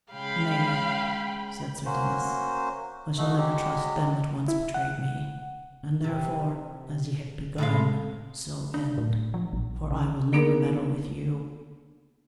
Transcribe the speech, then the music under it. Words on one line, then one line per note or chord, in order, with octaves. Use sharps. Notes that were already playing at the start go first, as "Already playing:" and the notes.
Nay, said sir Dinas, I shall never trust them that once betrayed me, and therefore, as ye have begun, so end, for I will never meddle with you.
C#3 G#3 F5 G5 B5
A#3 C#4 F#4 C5
A3 D#4 F#4 E5
F#3 G#3 G4
E4
F#5
C3
A2 G#3 F5
D4
A2
F3
A#1
C#3
A#3 B3 D4 D#4 G#4 A#4